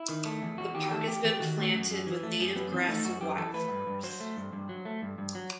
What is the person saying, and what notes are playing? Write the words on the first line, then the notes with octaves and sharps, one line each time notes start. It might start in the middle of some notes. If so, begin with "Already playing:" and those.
The park has been planted with native grass and wildflowers.
Already playing: E4
D#3
A3
E2
E2 F#4
D#3 G4
A3 A4
E2 G4
E2 G4
D#3 F#4
A3
F#2
F#2
E3
A3
F#2
F#2 B3
E3 C4
A3 D#4
F#2 F#4
F#2 G4
E3 A4
A3 B4
G2
G2
F#3 C5
A3
G2
G2
F#3
A3
G2
G2
F#3